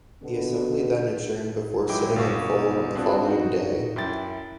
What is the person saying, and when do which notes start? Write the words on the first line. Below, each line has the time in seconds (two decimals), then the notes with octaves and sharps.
The assembly then adjourned before sitting in full on the following day.
0.23 B2 D3 B3 F#4 B4
1.88 F#3 G#3 E4 G5 D6
2.16 G1 B2 F5 C#6
2.95 C4 D4 F4 F#4 G#4 A4
3.28 D#4 F#4
3.96 F#2 E4 G5 A6